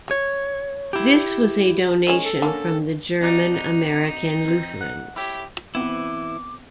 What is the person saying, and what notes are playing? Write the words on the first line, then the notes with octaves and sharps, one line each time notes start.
This was a donation from the German-American Lutherans.
C#5
E4 G4
D#3 G#3 C#4
A4
D3 A#3 C#4
C4 D#4 F#4 D5
D#4
F2 C4
F#5
E4 G4 C#5
E3 B3 C4 E4 D6